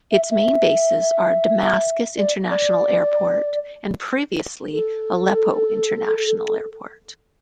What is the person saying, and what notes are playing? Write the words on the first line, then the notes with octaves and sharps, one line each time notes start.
Its main bases are Damascus International Airport and previously Aleppo International Airport.
E5
E5
D5
D5
A4